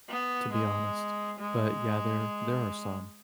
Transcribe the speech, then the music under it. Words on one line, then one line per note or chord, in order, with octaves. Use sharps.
to be honest. But, yeah, there there are some.
B3
G#3
G#3